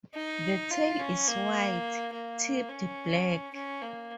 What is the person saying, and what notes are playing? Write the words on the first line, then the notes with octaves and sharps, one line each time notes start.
The tail is white, tipped black.
D#4
F4
C#4
A#3
A#3
C#4
C#4
A#3